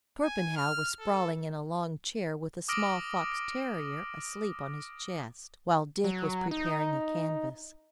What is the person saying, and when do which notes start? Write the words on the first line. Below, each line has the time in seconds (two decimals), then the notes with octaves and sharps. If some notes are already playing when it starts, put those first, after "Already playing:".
Torpenhow was sprawling in a long chair with a small fox-terrier asleep on his chest, while Dick was preparing a canvas.
0.24 G#5
0.56 F6
1.00 A4
2.68 D6 D#6 F6 A#6 D7 F#7
6.04 F#3
6.51 D#4